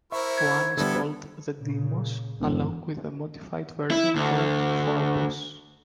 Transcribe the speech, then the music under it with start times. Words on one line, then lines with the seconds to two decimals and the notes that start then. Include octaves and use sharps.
One is called the Deimos, along with the modified version called Phobos.
0.12 E4 A#4 C5 E5 C#6
0.38 G#6
0.77 D3 G3 B3 E4 A4
1.58 A#2 C#3
2.40 E1 G2
3.91 E4
4.16 D2